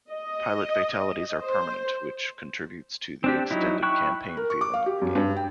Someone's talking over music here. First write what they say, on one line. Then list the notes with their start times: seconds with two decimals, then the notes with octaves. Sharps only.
Pilot fatalities are permanent, which contributes to the extended campaign feeling of the game.
0.11 D#5
1.41 C5
3.24 C4 D4 G4
3.51 F#3 D#4 E4
3.83 E4 G5 B5 C#6 F#6
4.37 A#4
4.50 C#6
4.61 D6
4.74 F5
4.86 G4
5.02 F#2
5.15 G2
5.37 G5